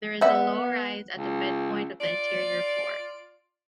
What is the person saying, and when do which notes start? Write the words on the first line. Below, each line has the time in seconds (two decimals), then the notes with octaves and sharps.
There is a low rise at the midpoint of the interior floor.
0.21 B3 D5 E5 F#5
1.17 C#2
2.01 F4 D5